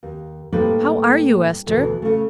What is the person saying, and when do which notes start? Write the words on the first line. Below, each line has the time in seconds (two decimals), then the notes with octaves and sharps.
"How are you, Ester?"
0.03 D#2
0.52 A2 G3 A#3 D#4 B4 C5
1.66 D2 B2 E3
2.02 C#3 A3